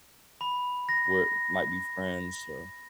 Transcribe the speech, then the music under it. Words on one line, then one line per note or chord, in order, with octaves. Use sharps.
where might be friends, so,
B5
A#6